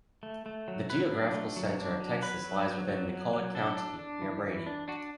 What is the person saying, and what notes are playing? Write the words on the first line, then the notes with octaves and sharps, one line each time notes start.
The geographical center of Texas lies within McCulloch County, near Brady.
A3
A3
F#3
F#3 B4
D4
A3
F#3
D4
F#3
F#3 B4
F#3
F#3
F#3
F#3
F#3
D4 A4
D4
D4
E3
E3
D4
D4 F#4